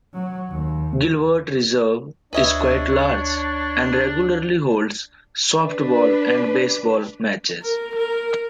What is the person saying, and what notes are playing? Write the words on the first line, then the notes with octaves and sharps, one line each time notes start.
Gilbert Reserve is quite large, and regularly holds softball and baseball matches.
F#3
D#2
D2 D4 B4 C#5 D#5 E5 G#6
D4 B4
A#4
A#4